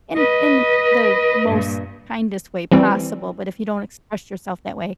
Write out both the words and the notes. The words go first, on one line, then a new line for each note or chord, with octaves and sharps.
in in the most kindest way possible, but if you don't express yourself that way,
B4 D#5
G2 A#2
E3 G3 C4